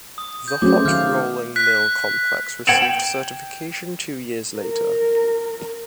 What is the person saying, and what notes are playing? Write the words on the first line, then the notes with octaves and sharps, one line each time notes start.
The hot rolling mill complex received certification two years later.
D#6
G6
F#3 A3 C#4 G#4 C5 D6 G6
D#3 F5 D6 F6 G6
F#6 B6
G5 G#6 C#7 D7 E7 F#7
A#4